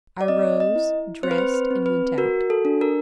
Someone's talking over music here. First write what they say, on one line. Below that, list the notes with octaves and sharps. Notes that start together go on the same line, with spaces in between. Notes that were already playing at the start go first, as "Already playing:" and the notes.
I rose, dressed, and went out.
D5
C4 D#5
D#5
E4
C4 C5
B4
C5
B4
C4
B4
F#4 A#4
A4
D4
A#4